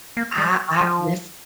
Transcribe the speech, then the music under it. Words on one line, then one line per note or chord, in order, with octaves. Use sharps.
I I this
A#3
G3
F3